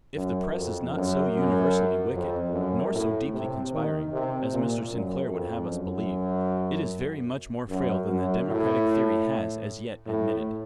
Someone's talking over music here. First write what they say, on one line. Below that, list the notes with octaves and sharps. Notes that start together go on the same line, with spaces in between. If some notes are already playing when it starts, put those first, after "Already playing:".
If the press is not so universally wicked, nor so deeply conspiring, as Mr. Sinclair would have us believe, it is very much more frail than the democratic theory has as yet admitted.
F#2
F2
F#2
F#2
F2
F#2
A2
C3
D#3
C3
A#2
F#2
F2
F#2
F#2
F#2
A2
A2